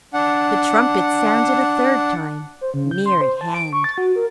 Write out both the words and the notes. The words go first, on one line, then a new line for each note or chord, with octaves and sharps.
The trumpets sounded a third time, near at hand.
D4 F#5
C5
C#3
G6
C6
C5
A5
D7
C#6
A6
F#4
A#4